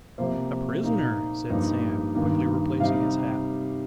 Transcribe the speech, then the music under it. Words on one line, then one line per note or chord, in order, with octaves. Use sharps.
'A prisoner!' said Sam, quickly replacing his hat.
C3 F3 A#3 C5
A#2 A#3 D#4
G2 F3 A#3 D#4
G2 D#3 A#3 D#4
C3 G3 D#4 F5